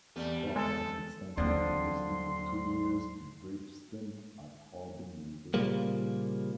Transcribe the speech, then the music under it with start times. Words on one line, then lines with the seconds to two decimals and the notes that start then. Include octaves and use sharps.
Chad attended Stanford University for two years a brief stint at Harding University.
0.16 E2 G3 A3
0.56 G#3 A4
1.37 D#2 D3 F3 F#3 C4 C6
5.54 A#2 C#3 F3 G3 A#3